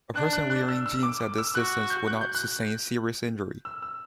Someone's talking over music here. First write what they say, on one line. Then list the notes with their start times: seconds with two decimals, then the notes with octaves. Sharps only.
A person wearing jeans at this distance would not sustain serious injury.
0.15 D4 F#6
0.33 F#6
0.50 F#6
0.68 E6
0.86 E6
1.03 D6
1.20 D6
1.38 E6
1.55 F#4 F#6
1.90 G6
2.07 F#6
2.21 G6
2.35 F#6
3.65 E6
3.82 E6